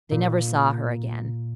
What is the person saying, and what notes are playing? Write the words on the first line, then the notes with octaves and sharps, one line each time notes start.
They never saw her again.
A#2